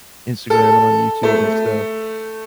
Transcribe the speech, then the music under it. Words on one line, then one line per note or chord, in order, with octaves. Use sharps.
Instagram and on YouTube and stuff.
A4
A3